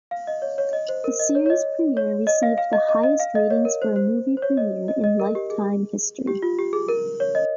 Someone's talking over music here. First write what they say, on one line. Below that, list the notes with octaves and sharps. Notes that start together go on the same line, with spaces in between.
The series premiere received the highest ratings for a movie premiere in Lifetime history.
F5
D#5
C#5
C#5
D#5
C5
A#4
D#5
C#5
C#5
D#5
C#5
D#5
F5
F5
D#5
D#5
D#5
F5
D#5
C#5
A#4
C5
C5
C5
C#5
D#5
D#5
D#5
A#4
G4
G#4
G4
F4
G4
G#4
A#4
C#5
D#5